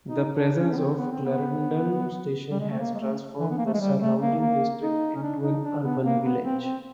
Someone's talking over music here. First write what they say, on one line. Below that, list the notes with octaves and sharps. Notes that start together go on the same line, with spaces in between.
The presence of Clarendon station has transformed the surrounding district into an urban village.
D#4
D4
C#4
B3
C4
B3
C4
B3
G3
G#3
A3
A#3
G#3
A3
E3
B3
A#3
A3
G#3
G3
A3
A#3
A#3
D#4
C#4
D4
D#4
D4
B3
A#3
B3
C4
C4